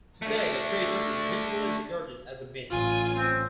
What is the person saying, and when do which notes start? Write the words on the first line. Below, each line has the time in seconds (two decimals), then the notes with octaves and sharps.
Today the creature is generally regarded as a myth.
0.22 A3 D4
2.70 A1 F#3 F4 G#5
3.17 C4